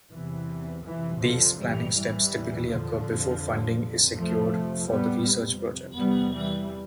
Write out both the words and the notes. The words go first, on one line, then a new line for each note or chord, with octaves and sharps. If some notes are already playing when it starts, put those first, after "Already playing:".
These planning steps typically occur before funding is secured for the research project.
E2 C3 E3
F2 C3 E3
D3 F3
G2 E3 G3
E3 G3
E2 B2
D3 F3
F2 C3
F2 C3
F3 A3
F2 C3
G3 B3
F2 C3
E2 C3 G3 B3
E3 G3